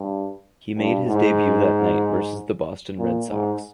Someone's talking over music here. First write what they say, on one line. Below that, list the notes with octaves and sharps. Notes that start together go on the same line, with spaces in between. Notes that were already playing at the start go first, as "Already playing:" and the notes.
He made his debut that night versus the Boston Red Sox.
Already playing: G2
G2
G#2
A#2
G#2